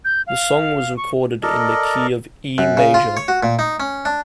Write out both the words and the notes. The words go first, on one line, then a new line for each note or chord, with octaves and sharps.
The song was recorded in the key of E major.
G6
F5
C#6
A4 A#4 D5 D#5
F#2
C#3
F4
C#5
F#4
A#2
D#4
C#4
D4